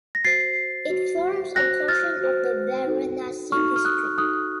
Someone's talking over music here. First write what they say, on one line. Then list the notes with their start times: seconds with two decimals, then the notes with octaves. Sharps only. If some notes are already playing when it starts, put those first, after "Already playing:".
It forms a portion of the Varanasi district.
0.15 A#6
0.25 F#4 C5 A6 C7
0.90 F#4 C5
1.56 F#4 C5 F#6 A#6
1.88 F6 A6
2.21 F#4 C5
2.87 D#4 F#4 A4
3.52 D#4 F#4 A4 C#6 F6
3.76 F6
3.85 D#6 F#6
4.18 D#4 F#4 A4 D#6 F#6